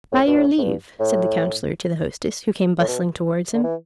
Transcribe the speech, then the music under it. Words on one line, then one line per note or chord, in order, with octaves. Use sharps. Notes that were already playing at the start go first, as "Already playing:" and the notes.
"By your leave!" said the Councillor to the Hostess, who came bustling towards him.
A2
B2
A2
A2
G2
A2
A2
B2
D3
E3